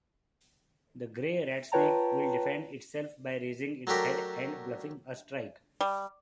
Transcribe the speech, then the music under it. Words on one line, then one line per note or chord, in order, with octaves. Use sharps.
The gray ratsnake will defend itself by raising its head and bluffing a strike.
F4 B4 C#5 G5 A5 A#5
F#3 A3 D4 G4 A#4
G3